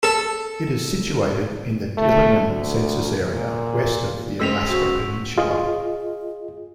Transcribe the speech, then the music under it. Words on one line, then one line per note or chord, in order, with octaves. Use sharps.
It is situated in the Dillingham Census Area, west of the Alaska Peninsula.
A4
A3
D2
A#2
C#3 G#3 C4 E6 B6 F7
F#4
F4 G#4 D#5